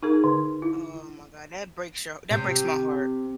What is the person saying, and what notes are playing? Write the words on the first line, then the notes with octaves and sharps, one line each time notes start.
Oh, my god, that breaks your that breaks my heart.
D#4 G#4 A#4
D3
E4
C3